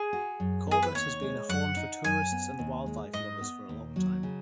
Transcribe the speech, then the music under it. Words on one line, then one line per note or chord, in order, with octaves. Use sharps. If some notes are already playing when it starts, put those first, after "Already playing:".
Corbett has been a haunt for tourists and wildlife lovers for a long time.
Already playing: G#4
F#4
F#2
B3 G#4
B4
D#2 C#5
G#3
F#2 F#5
D#4
F#2 G#5
B3
D#2
G#3
G#2 D#5
B3
D#2
F#3
C#3